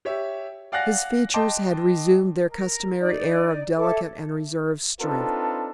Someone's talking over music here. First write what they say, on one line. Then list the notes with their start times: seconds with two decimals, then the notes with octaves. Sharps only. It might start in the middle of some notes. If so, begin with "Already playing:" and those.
His features had reassumed their customary air of delicate and reserved strength.
0.05 G4 C#5 E5
0.72 D5 F5 F#5 G#5 F#6 A#6
1.34 D#5 G5 A5 C6 D6
2.49 A#4
3.01 D#4 D5
3.77 A4 C#5 E5 D6
5.00 C4 D4 D#4 F4 A4 B4